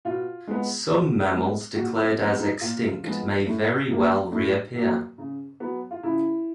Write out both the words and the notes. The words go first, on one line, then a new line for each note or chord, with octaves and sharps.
Some mammals declared as extinct may very well reappear.
B2 F4
G#3 B3
B2
G#3 B3
A#2 F#4
C4
F3 G#3 B3 C4
D#4
A#2 F4
F3 G#3 B3
A2
F#3 A#3
A2
F#3 A#3
C#3
F#3 B3
F4
C#3 E4